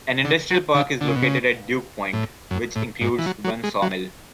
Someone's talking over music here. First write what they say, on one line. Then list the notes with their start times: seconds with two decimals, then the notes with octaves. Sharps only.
An industrial park is located at Duke Point, which includes one sawmill.
0.25 D3
0.50 F#3
0.75 D3
1.01 D3
1.08 C#3
1.15 B2
1.22 C#3
2.13 A2
2.51 F#2
2.76 A2
3.01 G#2
3.18 E3
3.26 F#3
3.44 F#3
3.64 G#3
3.82 F#3